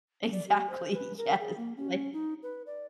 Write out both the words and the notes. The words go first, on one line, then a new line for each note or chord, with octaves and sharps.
Exactly, yes, like
D5
G4
C5
B4
A#4
G#4
A#3
C#4
D#4
B4
D5